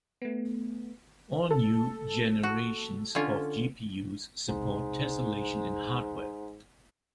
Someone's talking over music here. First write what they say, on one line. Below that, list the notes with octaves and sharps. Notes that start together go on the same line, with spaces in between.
All new generations of GPUs support tesselation in hardware.
A3 B3
A4
F#4
D3 C#4 F4
E1 C2 G#2